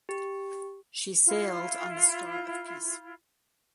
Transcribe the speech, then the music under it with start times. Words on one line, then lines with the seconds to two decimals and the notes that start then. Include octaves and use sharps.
She sailed on the "Star of Peace".
0.09 G4
1.27 E4 F4